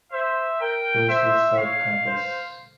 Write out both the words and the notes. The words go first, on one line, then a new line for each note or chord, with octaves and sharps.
Louis' South Campus.
C5 E5
A#4 G5
C5 E5
C#5 F5
C5